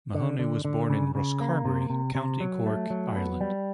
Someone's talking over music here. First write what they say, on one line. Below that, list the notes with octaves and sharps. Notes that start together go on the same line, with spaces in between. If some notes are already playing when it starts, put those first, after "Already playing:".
Mahony was born in Rosscarbery, County Cork, Ireland.
D3
D3
D3
C#3
C#3
A#3
C3
C3
C3
F#3
A3
F#3
B3
G3